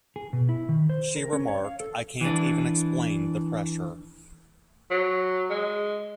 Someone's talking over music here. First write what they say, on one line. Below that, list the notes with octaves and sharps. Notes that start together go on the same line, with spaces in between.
She remarked, I can't even explain the pressure.
G#4
B2
E4
D#3
C5
A#4
C#4
C#5
F5
A4
E3 D4
F#3
G#3